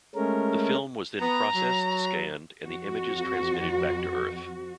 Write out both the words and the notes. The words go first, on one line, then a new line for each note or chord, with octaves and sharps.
The film was then processed, scanned, and the images transmitted back to Earth.
G#3 A3 C#4 A#4
B3 A#5
F#3
F2 F#4